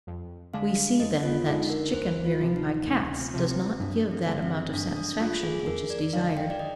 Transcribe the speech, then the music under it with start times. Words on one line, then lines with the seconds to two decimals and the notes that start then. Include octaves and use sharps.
We see, then, that chicken-rearing by cats does not give that amount of satisfaction which is desired.
0.07 F2
0.53 D3 G#3 D4 F5
1.00 F2 D#5
1.23 F4
1.46 D3 G#3 D4 D#4
1.70 A#4
1.93 D2 C5
2.24 F4
2.40 C3 F3
2.56 D#4
2.87 D2
3.18 C4
3.34 C3 F3
3.49 C4
3.80 G2 D4
4.11 C4
4.27 D3 G#3
4.43 C4
4.73 G2 D4
4.96 D4
5.20 D3 G#3 F4
5.43 G#4
5.60 G#4
5.66 F2 A#4
5.90 D5
6.13 D3 G#3 D#4 F5
6.37 G5
6.50 D5
6.59 D#5